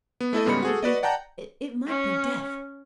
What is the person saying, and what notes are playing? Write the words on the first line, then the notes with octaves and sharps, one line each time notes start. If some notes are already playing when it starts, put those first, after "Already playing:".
"It would be--it might be--death!"
B3
A3 E4 A4 D#5
G#2 C#3 G3 B3 B5 C#7
F#4 G#4 A4
F#4 B4 D5 D#5
D5 F#5 G5 A5 A#5 G6
C#4